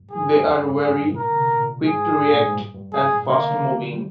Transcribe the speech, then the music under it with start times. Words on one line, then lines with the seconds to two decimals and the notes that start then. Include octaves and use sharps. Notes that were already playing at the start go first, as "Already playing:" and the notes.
They are wary, quick to react, and fast-moving.
Already playing: G2
0.10 G#2 G#4
0.27 G2
0.45 F2
0.58 G2
0.70 G#2
0.81 G#4
0.92 G2
1.04 G#2
1.11 C3
1.16 A#2 A#4
1.30 D3
1.34 C3
1.52 A#2
1.86 G#2 G#4
2.22 G#2
2.33 A#2
2.45 G#2
2.57 G2
2.75 G2
2.92 G#2 G#4
3.15 A#2
3.27 C3 A#3
3.38 D3
3.50 D3
3.62 D#3
3.93 G3